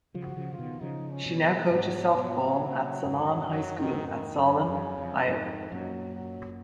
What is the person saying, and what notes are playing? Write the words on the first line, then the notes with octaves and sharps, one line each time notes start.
She now coaches softball at Solon High School in Solon, Iowa.
C#3 F3
F#4
C#3 F3
C#3 F4
B2 D#3
C#3 F3 D#4
C#4
B2 D#3
G#3
G#2 B2 F#3
G#2 B2
A#2 C#3
F2 G#2
F#2 F#3
D#3
F2 G#2
D#3
F#2 C#3
F#2
F2
F2 G#2 D#3
F#2 A#2 F#3
F#3